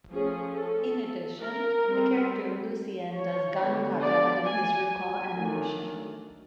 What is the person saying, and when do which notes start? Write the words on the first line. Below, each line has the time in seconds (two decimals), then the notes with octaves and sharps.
In addition, the character Lucian does Gun Kata in his recall animation.
0.11 F3 A3 C#4 G#4
0.54 A4
1.41 A#4
1.85 G3 C4
3.15 C#5
3.58 D3 G3 B3 D4
4.02 D5
4.46 G#5
4.89 G#5
5.33 D#3 F#3 A3 D4